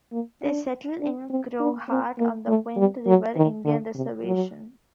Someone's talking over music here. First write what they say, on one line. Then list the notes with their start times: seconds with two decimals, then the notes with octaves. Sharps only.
They settled in Crowheart, on the Wind River Indian Reservation.
0.12 A#3
0.42 D4
1.00 D4
1.30 C4
1.60 D4
1.89 C4
2.18 A#3
2.47 A3
2.77 G3
3.07 F#3
3.36 D#3
3.65 D3
3.94 C3
4.24 F#3